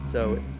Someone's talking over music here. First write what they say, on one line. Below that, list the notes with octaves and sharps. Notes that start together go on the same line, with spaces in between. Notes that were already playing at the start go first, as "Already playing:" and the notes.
So i
Already playing: C#2 C3
G3